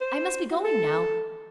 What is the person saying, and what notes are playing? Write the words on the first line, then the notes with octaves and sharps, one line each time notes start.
I must be going now.
C5
F#4
A4